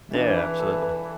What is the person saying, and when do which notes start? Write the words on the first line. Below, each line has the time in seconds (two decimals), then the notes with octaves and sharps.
Yeah, absolutely.
0.14 E3 D4
0.37 B4
0.59 A4
0.83 B4